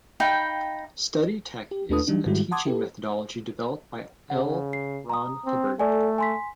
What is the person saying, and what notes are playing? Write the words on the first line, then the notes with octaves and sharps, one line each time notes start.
Study Tech is a teaching methodology developed by L Ron Hubbard.
D#4 F5 G5 B5
G4
D#2 A3 D4 A4 B4 D#6
E3 F#3 G3 D4 D#4
G#2 D#3 G3 G#3 E4 F#4
F#5 A5 C6 D6 D#6 G#6
E4 G4 A4 B4
C#3 F#5
C7
A#5 D#6
C4
A3 A4 D5 G#5
G#5 C6 B6